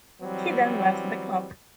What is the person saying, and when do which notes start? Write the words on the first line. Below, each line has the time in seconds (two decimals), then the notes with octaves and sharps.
He then left the club.
0.22 E3 F#3 G3 C4